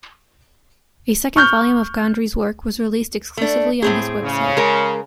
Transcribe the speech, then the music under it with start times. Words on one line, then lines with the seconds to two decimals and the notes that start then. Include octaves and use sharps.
A second volume of Gondry's work was released exclusively on his website.
1.36 C#6 F6 G6
3.37 A3 D4
3.82 A2 C4 G#4
4.22 C#3
4.57 G#3 A#4